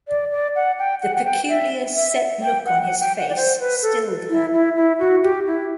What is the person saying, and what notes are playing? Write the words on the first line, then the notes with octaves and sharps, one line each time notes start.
The peculiar set look on his face stilled her.
D5
D5
F#5
G5
F#5
F#5
G5
E5
E5
G5
F#5
F#5
G5
F#5
D5
C5
B4
A4
E4
E4
E4
F#4
G4
E4